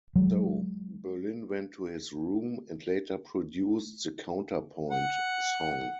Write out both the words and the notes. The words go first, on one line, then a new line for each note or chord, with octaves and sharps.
So, Berlin went to his room and later produced the counterpoint song.
F#3 G#3
F#5